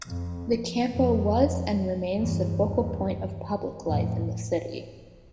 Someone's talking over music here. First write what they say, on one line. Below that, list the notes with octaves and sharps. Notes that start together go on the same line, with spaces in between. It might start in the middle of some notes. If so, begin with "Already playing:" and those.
The Campo was and remains the focal point of public life in the City.
F2
F2
E2 G2
E2 G2
F2 A2